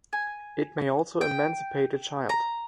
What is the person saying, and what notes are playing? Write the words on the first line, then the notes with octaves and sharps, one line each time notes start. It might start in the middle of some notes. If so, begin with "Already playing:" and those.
It may also emancipate a child.
G#5
G5
A#5